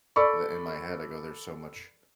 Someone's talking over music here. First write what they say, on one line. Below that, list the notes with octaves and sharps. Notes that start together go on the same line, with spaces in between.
that in my head, I go "There's so much
A4 D5 B5 C#6